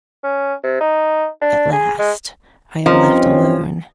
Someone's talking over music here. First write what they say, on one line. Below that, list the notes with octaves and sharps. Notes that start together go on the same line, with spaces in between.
At last I am left alone.
C#4
C3
D#4
D4
G#4
G#3
G2 F3 C4 C#4 D#4 A#4